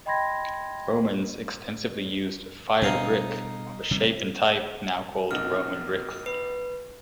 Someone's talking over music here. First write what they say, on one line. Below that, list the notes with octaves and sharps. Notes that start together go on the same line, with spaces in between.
Romans extensively used fired brick of a shape and type now called Roman bricks.
D#5 G5 B5 C6 G#6 A#6
B2 G3 D4 D#4 F5 G#5
C3 G3 C4
A#1 C3 D#4 F6
B4